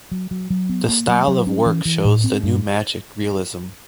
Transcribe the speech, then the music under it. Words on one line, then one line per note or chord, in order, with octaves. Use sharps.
The style of the work shows the new magic realism.
F#3
F#3
F#3
B3
A#3
F#3
F#3
C#4
E3
E3
A2
C4
G2